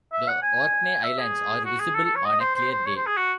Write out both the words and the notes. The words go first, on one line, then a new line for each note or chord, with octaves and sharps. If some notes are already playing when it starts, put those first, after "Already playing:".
The Orkney Islands are visible on a clear day.
E5
F#5
G#5
E5
G#4
F#4
G#4
A4
A4
C#5
D#5
C5
C5
C5
C#5
C5
G#4
F#4